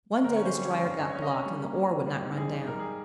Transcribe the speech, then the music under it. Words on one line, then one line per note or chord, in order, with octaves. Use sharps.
One day this drier got blocked, and the ore would not run down.
G1 A#4
C#4 C#5
C5
G3
C#5
C#4
G2 F5
C#4 D#5
C#5
C#4
D#5
C#4
G3
A#3
G3
G3
G3 C5
G#2
A#1 G#4
G#2
G3 A#4
G#4